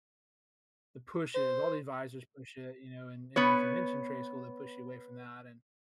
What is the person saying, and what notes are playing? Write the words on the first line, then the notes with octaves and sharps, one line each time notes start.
the push is, all the advisors push it, you know, and and if you mention trade school, they push you away from that, and
C5
B3 B4 C#5